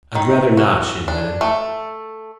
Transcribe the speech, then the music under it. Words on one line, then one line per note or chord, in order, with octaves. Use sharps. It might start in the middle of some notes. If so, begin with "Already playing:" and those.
"I'd rather not," she admitted.
D#3
F#4
D4
A3